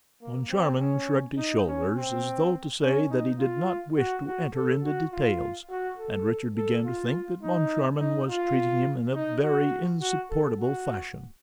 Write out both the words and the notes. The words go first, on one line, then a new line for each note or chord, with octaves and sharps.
Moncharmin shrugged his shoulders, as though to say that he did not wish to enter into details, and Richard began to think that Moncharmin was treating him in a very insupportable fashion.
A#3
C4
C#4
D#4
C#4
C4
C#4
D#4
F4
F#4
F#4
A4
F#4
F4
F#4
A4
A4
F4
D#4
D#4
F4
D#4
F#4
F#4
A4
F#4